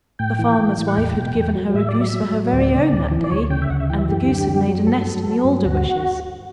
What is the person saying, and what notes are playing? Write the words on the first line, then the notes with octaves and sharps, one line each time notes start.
The farmer's wife had given her a goose for her very own that day, and the goose had made a nest in the alder bushes.
A2 G5
E3
E3
A2
F#5
E2 G5
B2
E2
F#3
A2 E5
D5
F#3
E5
F#3
A2
D2 D5
C#3
D2
E3
D5
D2 C#5
C#3 G5
E5
D2 F#5
E5
E3 G5
E5
F#2 G4
D3
F#2
F#3
G2 A4
F#3
F#3
G2
D2 F#4